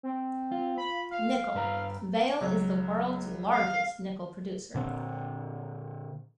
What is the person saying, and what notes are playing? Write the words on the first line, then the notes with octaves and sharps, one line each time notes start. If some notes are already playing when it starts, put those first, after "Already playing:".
Nickel: Vale is the world's largest nickel producer.
C4
F4
B5
F5
G2 B4 A#5
C#2 F#3
F5
A#2 D3 C4